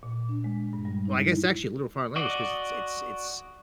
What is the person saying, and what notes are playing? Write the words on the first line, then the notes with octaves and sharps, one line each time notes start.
well, I guess actually a literal foreign language 'cause it's it's it's
A#2
D4
G#3
G2
G3
D#4
E4
F#4 D5 D#5